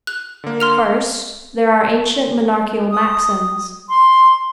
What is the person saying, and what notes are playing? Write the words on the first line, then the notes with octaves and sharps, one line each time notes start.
First, there are ancient monarchical maxims.
F#6
D3 A#3
C6 F6 F7
D#6
C6